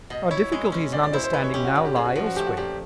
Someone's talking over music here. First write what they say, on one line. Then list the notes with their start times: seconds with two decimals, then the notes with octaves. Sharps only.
Our difficulties in understanding now lie elsewhere.
0.10 B2 D#5
0.31 E4 C#5
0.52 G#3
0.72 C#4
0.92 B2 D5
1.03 D5
1.13 E4 C5
1.24 C5
1.33 G#3 B4
1.43 C#5
1.54 C#4 G4
1.65 F#4
1.75 A#2 F#4
1.85 G4
1.96 A#2 G#4
2.05 F#4
2.15 F3 F#4
2.26 F#4
2.36 A3 G4
2.47 F#4
2.57 A#2 G4